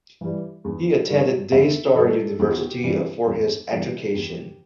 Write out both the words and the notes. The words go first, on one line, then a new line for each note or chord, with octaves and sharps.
He attended Daystar University for his education.
E3 G3
E2
D#3 G3
E2 E5
D#3 G3 A4
E2 G4
F#4
G4
C3 E3 G3
E2
C3 E3 G3
E2 G4